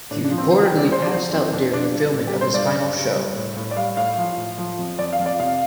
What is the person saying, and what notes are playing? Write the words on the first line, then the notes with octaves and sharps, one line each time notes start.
He reportedly passed out during the filming of his final show.
A2 D4
D4
F3
C4
F2 C5
G5
C3
D5
F3 C5
D5
F2 C5
F2 C4
F2 D4
F3 D4
G2
A2 D4
G4
G3
C5
G2 D5
G2
G3
G3
A2
A2
D5
G3 F5
A2 F5
F3
A2
F3
F2
F2 D5
F5
F2
D5
C3 F5